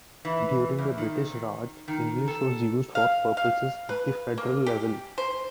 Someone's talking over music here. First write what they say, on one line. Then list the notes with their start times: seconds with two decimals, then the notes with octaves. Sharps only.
During the British Raj, English was used for purposes at the federal level.
0.25 E3
0.78 E2
0.98 D#3
1.88 D#3
2.28 A4
2.95 F5
3.37 F5
3.89 B4
4.38 A#3
4.66 G4
5.18 C5